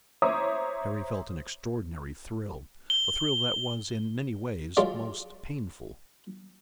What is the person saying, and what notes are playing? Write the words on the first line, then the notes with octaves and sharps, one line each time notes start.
Harry felt an extraordinary thrill, a thrill that was, in many ways, most painful.
C5 C#5 E5 A#5 D6 D#6
G7
F#3 G#3 F4 D5 F5